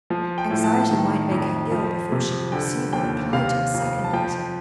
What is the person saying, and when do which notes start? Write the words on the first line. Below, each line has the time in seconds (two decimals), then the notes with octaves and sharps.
Anxiety might make her ill before she could receive a reply to a second letter.
0.10 F3
0.38 G5
0.51 A2
0.64 A5
0.91 D#3
1.31 F2
1.72 F3
2.12 C3
2.52 D3 G5
2.93 D#2 G5
3.33 C3 F5
3.74 F2
4.04 A5
4.13 F3 G5